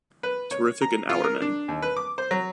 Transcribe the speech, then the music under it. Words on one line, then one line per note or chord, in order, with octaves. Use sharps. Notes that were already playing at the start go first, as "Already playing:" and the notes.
Terrific and Hourman.
B4
C#5
A#5
F4
A#4
D4
D#2
B4
D6
C5
F#3